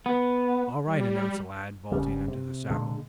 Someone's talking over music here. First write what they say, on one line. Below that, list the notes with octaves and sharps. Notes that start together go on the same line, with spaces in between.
"All right," announced the lad, vaulting into the saddle.
B3
G3
F#1 D2 C#3 G3
C3
A#2 D3 G#3